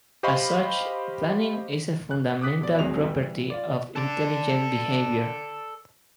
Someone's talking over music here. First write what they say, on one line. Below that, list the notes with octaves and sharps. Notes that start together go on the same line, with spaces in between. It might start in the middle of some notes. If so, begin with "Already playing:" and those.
As such, planning is a fundamental property of intelligent behavior.
G4 C5 D#5 F5 B5 C#6
F#6
D6 D#6 F#6 B6
B2 D5
D1 G#1 F#3 G#3 F7
E3 G3
F4 D5
A4 D5